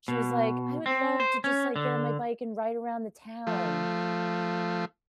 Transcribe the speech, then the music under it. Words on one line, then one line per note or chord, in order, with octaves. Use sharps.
she was like, "I would love to just, like, get on my bike and ride around the town."
B2
C4
C5
C#4
D3
F3 A3